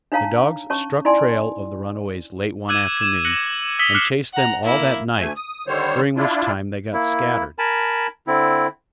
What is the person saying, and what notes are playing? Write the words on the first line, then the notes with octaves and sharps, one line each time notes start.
The dogs struck trail of the runaways late one afternoon, and chased them all that night, during which time they got scattered.
D4 D#4 C#5 F5 A5 A#5
C#4 C#5 A5 C#6
D#4 E4 D5 G5 G#5 C6
D6 E6 F#6 G#6 D#7
E7
F#6 A#6 C#7 F#7
D#6 E6 B6 G7
D6 F6 F#6 C7 C#7
F#5 A#5
A#3 E4
D2 A3 G#5
D#6
D3 D#3 G3 C5 C#5
D4 E4 F4
A#3 E4
A#4 G#5 A5 B5
D3 C4 E4